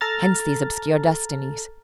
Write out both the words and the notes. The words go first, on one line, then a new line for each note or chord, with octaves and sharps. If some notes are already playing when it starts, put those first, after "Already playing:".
Hence these obscure destinies.
A4 A5 A#5 F6 A6